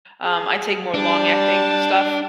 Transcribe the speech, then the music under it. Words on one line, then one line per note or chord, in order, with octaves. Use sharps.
um, I take more long-acting stuff,
G#4
G3 D4 A5